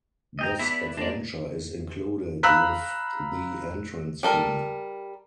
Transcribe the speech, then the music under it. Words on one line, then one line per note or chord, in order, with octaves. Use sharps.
This adventure is included with the entrance fee.
D#5 G5 A#5
B3 E4 B4 D5 E5
G#3 A#3 D4 D5
F5 A#5 B5 E6 F#6 B6
G3 A4 A#4